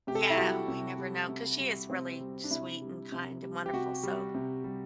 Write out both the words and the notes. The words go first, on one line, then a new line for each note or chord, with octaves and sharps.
Yeah, we never know 'cause she is really sweet, and kind, and wonderful, so
C3 G4
A4
G4
E4
G3 F#4
C3
G3
C3
G3
C3 C4
G3
D4
C3 E4
G3
C3
G3
G4
C3 F#4
G3
C3
G3